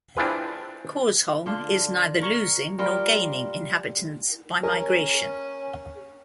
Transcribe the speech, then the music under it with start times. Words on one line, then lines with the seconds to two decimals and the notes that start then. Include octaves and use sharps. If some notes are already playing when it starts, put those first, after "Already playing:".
Korsholm is neither losing nor gaining inhabitants by migration.
0.17 C4 D4 E4 F4 G#4 B4
1.46 D3 D4 F4
2.20 A#4 C#5
2.79 G3 F4 A#4 D5
4.63 C#4 A#4